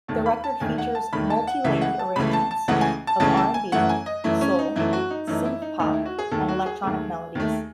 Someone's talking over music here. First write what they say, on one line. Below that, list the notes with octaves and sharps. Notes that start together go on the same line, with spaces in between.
The record features multilayered arrangements of R and B, soul, synthpop, and electronic melodies.
E1 D#2 D#3 A3 A5
B5
A5
E1 D#2 D#3 A3 G#5
F#5
A5
E1 D#2 D#3 A3 B5
A5
F#5
C#2 C#3 E3 A3 E5
F#5
A5
C#2 C#3 E3 A3 B5
A5
A5
C#2 C#3 E3 A3 F#5
G#5
A5
C#2 C#3 E3 A3 A5
A5
G#5
F#2 E3 A3 F#5
G#5
D#5
F#2 E3 A3 E4
C#4
D#4
F#2 E3 A3 E4
F#4
D#4
F#2 E3 A3 D#4
E4
D#4
D#2 D#3 A3 D#4
E4
F#4
G#4
D#2 D#3 A3 A4
F#4
G#4
D#2 D#3 A3
D#2 D#3 A3